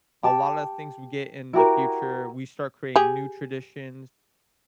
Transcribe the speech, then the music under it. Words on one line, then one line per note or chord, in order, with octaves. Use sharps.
a lot of things we get in the future, we start creating new traditions,
G4 A5
E4 F#4 G4 A#4
G4 G#4